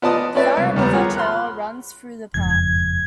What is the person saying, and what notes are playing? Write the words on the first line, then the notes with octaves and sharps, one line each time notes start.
The Yarra River Trail runs through the park.
B3 F4 D5 D#5 A5 D#6
C#4 B4 D5 E5
C2
D#2 G3 B3
F4 G#4 A#4 C#5 F#5
B5 C6 F6 F#6
F#1 F2 G#2 G#6